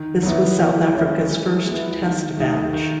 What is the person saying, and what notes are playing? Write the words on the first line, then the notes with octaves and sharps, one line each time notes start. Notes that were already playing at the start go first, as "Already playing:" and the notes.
This was South Africa's first Test match.
Already playing: D#3
F#3 B3 E4
E3
G#3 C#4 E4
E3
G#3 B3 E4
D#3
A3 D#4
D#3